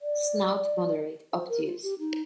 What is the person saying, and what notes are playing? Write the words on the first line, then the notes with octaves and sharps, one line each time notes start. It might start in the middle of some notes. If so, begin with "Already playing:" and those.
Snout moderate, obtuse.
D5
C5
A#4
F4
G4
D#4